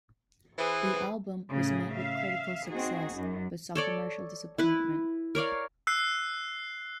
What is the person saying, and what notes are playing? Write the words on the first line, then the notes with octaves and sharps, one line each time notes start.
The album was met with critical success but saw commercial disappointment.
E3 E4 G#4 B4 C5
A2 C#3 A3 G#4
E5 F5
C4 D#4 F#4 G#4
F#2
A4 C#5 D5
E4 B4
A#4 C#5 D5 F5
E6 F#6 C7